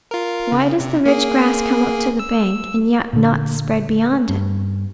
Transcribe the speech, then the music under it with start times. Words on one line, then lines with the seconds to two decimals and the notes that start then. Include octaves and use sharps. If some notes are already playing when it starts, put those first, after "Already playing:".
Why does the rich grass come up to the bank, and yet not spread beyond it?
0.11 F4 A#4
0.52 C#3
0.80 C3
1.06 A#3 G#4
2.19 E6
3.13 A#2 D3
4.29 G2